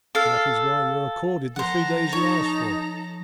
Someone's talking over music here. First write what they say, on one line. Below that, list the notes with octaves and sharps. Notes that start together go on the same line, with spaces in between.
And that is why you are accorded the three days you ask for.
A4 F5
F3 A4 C5 F#5 A#5
D#4 C#5